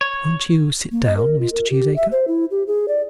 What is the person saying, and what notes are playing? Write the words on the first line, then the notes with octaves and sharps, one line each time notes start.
"Won't you sit down, Mr. Cheesacre?"
C#5
A#3
D#5
A#4
F4
A#4
G4
E5
C5
E4
G4
G#4
D5